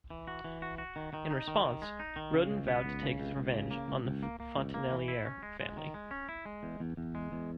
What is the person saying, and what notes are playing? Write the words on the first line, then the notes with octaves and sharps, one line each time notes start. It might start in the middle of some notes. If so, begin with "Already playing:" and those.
In response, Roden vowed to take his revenge on the Fontenellier family.
E3
F#4
E3
F#4
F#4
D#3
D#3
D#4
D#3
D#3
G#3
D#4
D#3
C#3
C#2
B3
C#2
C#3
C#2
C#2
C#3
A#3
C#2
C#2
A#3
A#3
C#2
A#3
E3
E4
C#4
G#3
G#3
D#3
G#3
C#4
E4
G#3
E2
E2
E2
G#3
E2